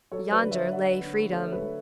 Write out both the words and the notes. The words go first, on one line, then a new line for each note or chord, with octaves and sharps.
Yonder lay freedom!
F#3 A4 C#5
B4 D5
D3
C#5 E5
F#3 D5 F#5
D3
A3 A4 C#5
B4
A3